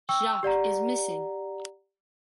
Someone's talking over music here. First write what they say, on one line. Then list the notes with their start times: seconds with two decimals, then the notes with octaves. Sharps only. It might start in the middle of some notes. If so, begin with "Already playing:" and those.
Jacques is missing!
0.09 G5 C#6 E6
0.43 G4 D5 F#5 A#5